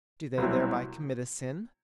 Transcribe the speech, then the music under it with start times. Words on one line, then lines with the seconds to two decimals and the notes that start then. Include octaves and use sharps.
Do they thereby commit a sin?
0.38 C2 B2 F#3 C4 E4